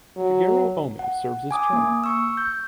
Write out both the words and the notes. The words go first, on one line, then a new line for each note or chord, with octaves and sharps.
Shigeru Omi serves as chairman.
F#3
F#5
G#5 D6 D#6
A#3
C#6 E6
G6